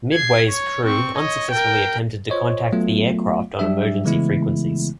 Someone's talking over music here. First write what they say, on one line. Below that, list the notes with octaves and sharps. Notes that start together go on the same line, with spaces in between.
"Midway"s crew unsuccessfully attempted to contact the aircraft on emergency frequencies.
G#6 C7
C#5
C4 C#6
C#5 D#5
A#4 G5
F4 C5 C#5 D#5
F#3 A3 B3 F4
F#3 G3 D4 G4 E5
C#3 E3 G#3 A3 B3 E4